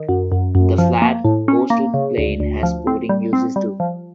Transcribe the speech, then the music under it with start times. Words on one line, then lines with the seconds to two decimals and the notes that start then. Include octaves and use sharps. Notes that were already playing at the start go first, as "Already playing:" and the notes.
The flat coastal plain had sporting uses too.
Already playing: D#3
0.09 F#2
0.32 F#2
0.55 F#2
0.78 F3
1.02 A#3
1.24 A2
1.48 C#4
1.70 A#3
1.94 C#3
2.18 D2
2.40 D2
2.63 F3
2.87 C4
3.09 G3
3.33 C4
3.56 G3
3.80 F3